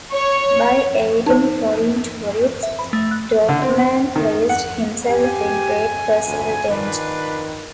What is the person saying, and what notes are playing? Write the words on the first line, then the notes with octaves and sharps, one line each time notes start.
By aiding foreign tourists, Dorfman placed himself in great personal danger.
C#5
D#4 C5
E5
B5
A3
F#6
D3
C4
D#3
F#5
G4 G#5
D2
D#3 D4 F4 B4